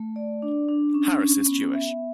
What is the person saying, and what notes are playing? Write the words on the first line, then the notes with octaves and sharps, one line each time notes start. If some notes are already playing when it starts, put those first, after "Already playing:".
Harris is Jewish.
Already playing: A3
D5
D4
D4
C#4
C#4
B3
E5